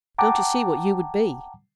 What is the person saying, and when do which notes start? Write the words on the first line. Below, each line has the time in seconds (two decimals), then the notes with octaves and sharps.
'Don't you see what you would be?
0.18 F#5 G5 A5 A#5 D6